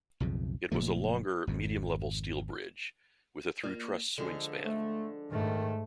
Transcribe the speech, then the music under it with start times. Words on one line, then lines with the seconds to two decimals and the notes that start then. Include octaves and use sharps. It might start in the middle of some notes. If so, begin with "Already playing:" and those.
It was a longer, medium-level steel bridge with a through truss swing span.
0.20 B1 F2 C#3
0.72 F#1 A#2 F3 A3
1.47 G#1 F2
3.64 A#3 F4 D5
4.18 D3 F3 G#3
4.65 A3
5.30 G#2 D#3 A3